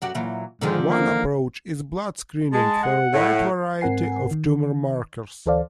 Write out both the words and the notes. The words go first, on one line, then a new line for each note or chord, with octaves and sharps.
One approach is blood screening for a wide variety of tumor markers.
F#2 F#4 G4
A#2 E3 F#3
G#2 D3 D#3 F3
A#3
G#3 A5
F#5
A2
G#2 C4 A#4 F#5 G#5 C7
D#3
D2 E3 A4 C5 D5 F5